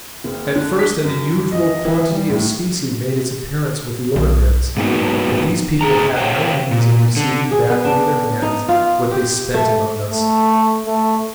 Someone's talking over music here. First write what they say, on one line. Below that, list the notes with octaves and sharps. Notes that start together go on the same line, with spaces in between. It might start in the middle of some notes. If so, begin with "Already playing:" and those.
At first an unusual quantity of specie made its appearance with the emigrants; but these people had no means of receiving back into their hands what they spent among us.
F#1
D3
B6
F#2
D#5
E3
G3
A2
B1
G#2 B2 A#3 B3 D#4 F#4
D3 G#4 A#5
G4 C5 C#5 F5 G5
A#2
D3
G#4
B3
D4
D#4
F4
G4
A3
A3
A3